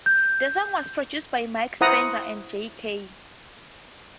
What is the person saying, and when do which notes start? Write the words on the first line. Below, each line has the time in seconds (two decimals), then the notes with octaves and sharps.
The song was produced by Mike Spencer and Jay Kay.
0.06 G6
1.81 E4 C5 F#5 A#5 D#6